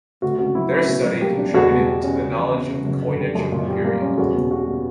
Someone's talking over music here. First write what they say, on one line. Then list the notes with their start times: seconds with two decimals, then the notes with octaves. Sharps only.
Their study contributed to the knowledge of the coinage of the period.
0.22 D2 F#4
0.39 C#3 F#4
0.55 F#3 E4
0.72 C#4 E4
0.88 B2 F#4
1.05 F#3
1.21 A#3 G4
1.38 D4
1.54 E2 F#4
1.71 B2
1.87 G3
2.03 C#4
2.20 C#3
2.37 E3
2.54 B3
2.69 C#3
2.86 F#2
3.02 D3
3.19 G3
3.35 F#2
3.52 A#2
3.68 G3
3.85 A#3
4.01 C#4
4.18 E2 F#4
4.34 B2
4.51 G3 F#4
4.67 A#3